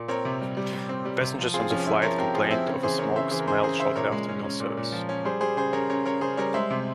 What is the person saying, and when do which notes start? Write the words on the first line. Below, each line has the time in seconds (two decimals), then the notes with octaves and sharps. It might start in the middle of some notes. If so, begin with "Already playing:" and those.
Passengers on the flight complained of a smoke smell shortly after meal service.
Already playing: A#2
0.08 C4 A#4 C#5
0.25 C3
0.41 G3
0.57 G3
0.73 G3
0.89 C4
1.05 G3
1.21 C3
1.39 F3
1.54 C4 F4 G#4
1.70 F3 C#4
1.86 C4 E4
2.02 F3 A#4 C#5
2.18 C4 G4 A#4
2.34 F3 F4 G#4
2.51 C4 E4
2.67 C#3 C#4
2.83 E3 G#4 C5
2.99 C#3 A#4 C#5
3.16 C#3 C5 E5
3.31 E3 G#4 C5
3.40 A#4
3.48 C#3 G#4 C5
3.58 A#4
3.63 C#3 G#4 C5
3.80 C#3 C5 E5
3.95 A#2 A#4 C#5
4.12 G#3
4.28 C#4
4.45 C#4
4.60 A#2
4.77 A#2
4.92 F3
5.09 C#4
5.25 G3 G#4 C5
5.41 G3 G#4 C5
5.57 C#3 G#4 C5
5.73 C#3 A#4 C#5
5.90 C#3 A#4 C#5
6.05 C#3 A#4 C#5
6.21 C#3 G#4 C5
6.37 G3 A#4 C#5
6.54 G#3 C5 E5
6.71 C3